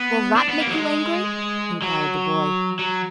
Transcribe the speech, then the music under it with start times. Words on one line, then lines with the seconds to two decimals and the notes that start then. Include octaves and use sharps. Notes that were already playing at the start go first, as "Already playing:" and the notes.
"Will that make you angry?" inquired the boy.
Already playing: B3
0.36 D4
0.49 B3
0.60 A#3
0.67 F#3
0.72 G#3
1.82 F#3
2.79 F#3